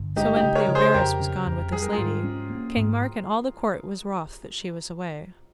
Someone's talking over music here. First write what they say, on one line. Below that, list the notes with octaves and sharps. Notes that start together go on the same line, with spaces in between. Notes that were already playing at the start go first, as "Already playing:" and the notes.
So when Bleoberis was gone with this lady, King Mark and all the court was wroth that she was away.
Already playing: G1
G#3 D#4 G4
D#4 G4
C#3
A#4 C#5
C#3
G#4 C5
F2 G4 A#4
C#3
F2
G3 G#4
A#4
F4 G#4
G#2
C#4
A#3
G#2